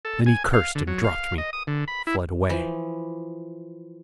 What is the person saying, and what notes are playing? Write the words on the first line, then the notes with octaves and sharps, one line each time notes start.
Then he cursed and dropped me; fled away.
A4
G#5
F5
D3
F#3
F5
D#5
D#6
D3
B5
E4
E3 F3